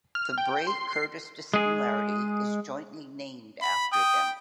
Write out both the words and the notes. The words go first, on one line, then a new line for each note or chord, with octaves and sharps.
The Bray–Curtis dissimilarity is jointly named after them.
F6
G5
C6
C7
G#3 G#4
B5
G5 D#6